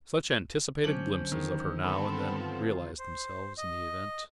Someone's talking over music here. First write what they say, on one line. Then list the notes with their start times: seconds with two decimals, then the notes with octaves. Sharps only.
Such anticipated glimpses of her now and then realized themselves in the event.
0.84 D3 F#3 C#4 C5 F#7
1.32 D#3
1.82 B3 C4 A4 B5
2.38 F4
2.99 C5
3.58 D#5